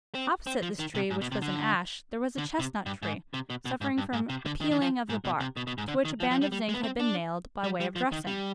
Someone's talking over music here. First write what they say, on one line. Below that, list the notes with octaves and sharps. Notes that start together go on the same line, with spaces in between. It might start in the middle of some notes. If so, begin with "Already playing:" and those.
Opposite this tree, which was an ash, there was a chestnut-tree, suffering from a peeling of the bark, to which a band of zinc had been nailed by way of dressing.
C4
C4
F3
D#3
C3
G#2
B2
C3
D3
D3
C3
G2
G#2
C3
B2
B2
G#2
G2
G#2
C3
D3
D#3
D#3
F3
G#2
B2
C3
B2
B2
G#2
D3
D#3
F3
F3
G3
G3
G#3
B3
C4
D4
G3
G3
F3
D#3
G3